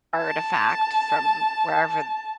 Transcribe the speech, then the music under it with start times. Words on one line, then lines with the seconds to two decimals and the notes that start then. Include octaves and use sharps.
artifact from wherever
0.17 A5